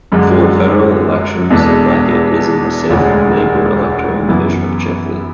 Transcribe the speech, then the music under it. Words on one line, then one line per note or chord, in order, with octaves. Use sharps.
For federal elections, Blackett is in the safe Labor electoral division of Chifley.
F#2 D3 G#3
E2 B2 G#3 D4 A4
E1 D2 D3 G#3 C#4
F#2 E3 B3 E4